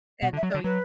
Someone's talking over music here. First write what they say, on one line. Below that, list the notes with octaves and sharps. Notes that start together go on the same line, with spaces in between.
and so,
B2 F#5
D3
E5
F#3
D5
D3
F#3 B4